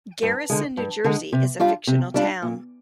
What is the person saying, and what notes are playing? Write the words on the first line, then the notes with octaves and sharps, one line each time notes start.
Garrison, New Jersey, is a fictional town.
G2
D3 G#3
G2
D3 G#3
C3
G3 D4 F4
C3
G3 D4 F4
A#2